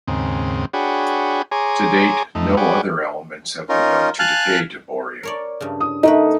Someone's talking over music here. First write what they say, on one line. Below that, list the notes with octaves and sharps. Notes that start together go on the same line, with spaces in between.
To date, no other elements have been known to decay to bohrium.
D#2 G#2 C#3 C4
D4 F#4 G#4 C#5 G5 B5
G#4 C#5 G#5 A#5 C6 D6
F2 A3 D#4
F#4 G#4 B4 C#5 D5 G5
C#4 D#4 F4 A#4
F5 G#5 A5 F6 F#6
A#4 C#5 D5
G2 C#3
D#6
A3 A#3 D#4 B4